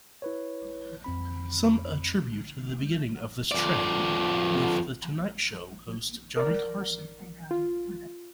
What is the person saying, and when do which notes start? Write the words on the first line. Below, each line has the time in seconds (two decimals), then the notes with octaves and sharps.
Some attribute the beginning of this trend with "The Tonight Show" host Johnny Carson.
0.22 E4 B4 C#5
1.04 F2 C4 B5
3.52 F2 D5
6.37 A#4 D5
7.51 F4